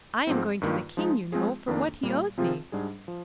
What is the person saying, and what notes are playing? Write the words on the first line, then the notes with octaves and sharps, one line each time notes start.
'I am going to the King, you know, for what he owes me.'
G#2 F3 C4
G2 D#3 A#3 F4
F3 G#3 D#4
F3 G#3 C4 F4 G#4
F2 D#3 A#3 D4
A#2 G3 A#3
C3 F3 C4 F4 G#4
G#2 G3 D4 G#4
F3